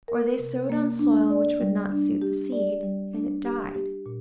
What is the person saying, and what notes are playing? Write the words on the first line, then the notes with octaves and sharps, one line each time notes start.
Or they sowed on soil which would not suit the seed, and it died.
A#4
C3
A#3
D4
D5
G3
D4
G4
D5
G3
D4
G4
G4
A#2